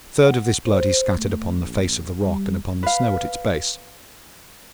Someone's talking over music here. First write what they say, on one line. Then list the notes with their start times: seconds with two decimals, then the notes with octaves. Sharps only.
A third of this blood he scattered upon the face of the rock and upon the snow at its base.
0.25 F#5
0.66 C5
1.17 A3
1.57 A#1
2.22 G3
2.83 B4 F5